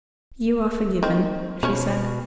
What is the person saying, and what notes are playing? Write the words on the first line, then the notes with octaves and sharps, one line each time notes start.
"You are forgiven," she said.
D#3 C4
B2 F3 C#4 C#5